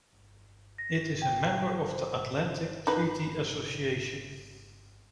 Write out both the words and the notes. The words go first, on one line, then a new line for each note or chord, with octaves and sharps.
It is a member of the Atlantic Treaty Association.
A#6
G5
C5
D#4 B4